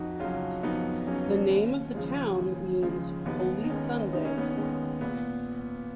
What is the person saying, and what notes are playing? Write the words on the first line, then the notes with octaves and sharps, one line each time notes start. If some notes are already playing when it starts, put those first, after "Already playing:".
The name of the town means "Holy Sunday".
Already playing: F2 D#4 F#4
C#3 F#3 C#4 F4
F2 B3 D#4
C#3 F#3 C#4
D#2
C#3 F3 G#3
D#2
C#3 F3 G#3
D#2 B3 D#4
D#4
D#3 G#3 C#4
D#2 D#4
C#4
B3
C#4
D#3 G#3
A#2 B3